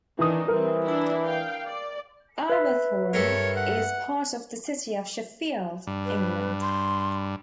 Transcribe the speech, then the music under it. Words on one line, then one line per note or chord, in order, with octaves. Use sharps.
Arbourthorne is part of the city of Sheffield, England.
D#3 E3 D4 D#4 D#6
E3 G3 C4 A#4
D4 E4
F5 G5
D5
B4 E5
G2 A4 A#4 C#5
F#5
G2
B4
C6